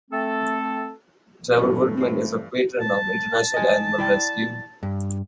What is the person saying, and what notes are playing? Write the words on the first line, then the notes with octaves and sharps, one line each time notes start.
Trevor Woodman is a patron of International Animal Rescue.
A3 C4 A4
G2 E3 F#3 A3 C#4 A4
A3 C4 C5
A5
D#5 G#5
E4 D5 G5
G2